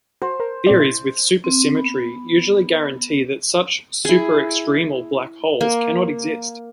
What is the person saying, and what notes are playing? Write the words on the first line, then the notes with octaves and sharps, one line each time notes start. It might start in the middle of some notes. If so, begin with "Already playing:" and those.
Theories with supersymmetry usually guarantee that such "superextremal" black holes cannot exist.
F#4 C5
A#4
A#2 C4 D5
E4
C4
B3
E4 G#4
A#3